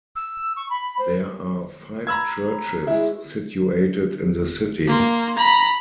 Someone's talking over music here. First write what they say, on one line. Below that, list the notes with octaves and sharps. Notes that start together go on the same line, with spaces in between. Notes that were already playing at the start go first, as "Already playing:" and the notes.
There are five churches situated in the city.
E6
C#6
B5
C5
A#5 B5 E6 G#6
G#3 E4
A#3 C6
A#5 B5